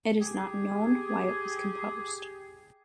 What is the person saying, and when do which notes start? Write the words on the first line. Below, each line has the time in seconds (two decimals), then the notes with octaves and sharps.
It is not known why it was composed.
0.20 G4 G#4